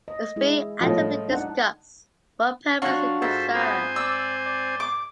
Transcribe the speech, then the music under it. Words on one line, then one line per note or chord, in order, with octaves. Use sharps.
It is being actively discussed what purpose it could serve.
D#5
G#3 E4 G#4
A2 F3 G3 D#5
D4 D#4 F#5
F#3 D4 F4 F#4 C#6
G#2 A4 C5 E5
B3 C4 C5 G#5
D5 E6
D5
D6